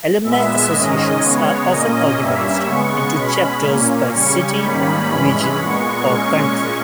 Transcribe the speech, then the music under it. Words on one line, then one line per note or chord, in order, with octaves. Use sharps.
Alumni associations are often organized into chapters by city, region, or country.
A#2 G#3 B3 E5
G#2 D#3 G#3 C#4 D#5
C#3 G#3 B3 C#5
A#2 A#3 C#4 D#5
G2 G3 A#3 C#4 E5
C#3 G#3 B3 C#6
B2 G#3 C#4 B5
A#2 A#3 C#4
C#3 G3 C#4 C#6
G#2 D#3 G3 A#3 C#4 B5
G2 E3 G#3 C#4 B5
A#2 G#3 B3 C#6
A#2 G#3 C#4 C#6